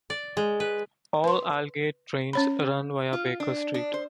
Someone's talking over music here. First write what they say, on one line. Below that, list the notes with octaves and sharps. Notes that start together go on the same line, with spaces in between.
All Aldgate trains run via Baker Street.
D5
G#3
B4
B4 C6
C#4 C#5 B5
F4
D4
D4
C5